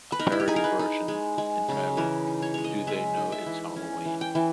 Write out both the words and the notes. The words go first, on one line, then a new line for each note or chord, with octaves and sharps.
A parody version entitled Do They Know It's Hallowe'en?
B4
D#4 A#4
E4
G4
D#4 G#4
A#4
B4
D#4
G#3
G#3
C#3
E3 A#4
D#4
C#5
G#3 C#5
D#5
G#3 E5
D#4
E5
E3
C#4
E3
G5
E3